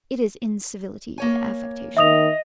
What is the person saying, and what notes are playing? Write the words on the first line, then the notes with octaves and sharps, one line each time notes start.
It is incivility with affectation.
A#3 C#5 G#5
D#3 D#5 E5 D#6 F7